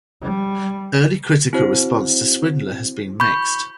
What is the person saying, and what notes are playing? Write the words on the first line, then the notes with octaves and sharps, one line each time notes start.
Early critical response to Swindler has been mixed.
G3
C4 E4 F#4 C5
B5 C#6 G6